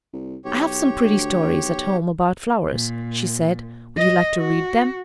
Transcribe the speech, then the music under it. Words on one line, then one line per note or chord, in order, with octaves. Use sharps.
"I have some pretty stories at home about flowers," she said; "would you like to read them?"
C2
B1 G4 C#5
D2
B1
A#2
D#5
F#4